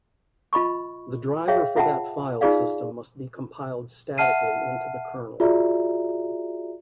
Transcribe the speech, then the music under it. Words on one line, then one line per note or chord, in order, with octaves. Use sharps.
The driver for that file system must be compiled statically into the kernel.
F4 D#5 B5 C#6
G#4 C#5 E5 F5 G5
F4 E5 F#5 G5 A5
D#4 F4 G#4 D5 F5
E5 F#5 A5 F6 C7 D#7
F4 F#4 G#4 D5 E5 A#5